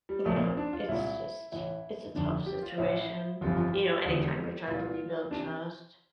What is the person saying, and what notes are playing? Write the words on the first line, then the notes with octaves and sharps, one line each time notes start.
I don't it's just, it's a tough situation. You know, anytime you're trying to rebuild trust,
G3
A#1 A#2 A3
A#3
C4
D4
F4
C2 A#2 E4
A1 A2 E3 E4
F1 F2 D3 D4
E4
G4
F4
A1 A2 E3 E4
G1 F2 C3 E3 F4
F4
G4
E1 E2 D3
C2 A#2 F4
C3 E3 D4